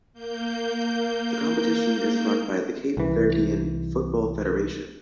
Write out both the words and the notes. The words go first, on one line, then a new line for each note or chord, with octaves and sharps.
The competition is run by the Cape Verdean Football Federation.
A#3 G6
C2 E3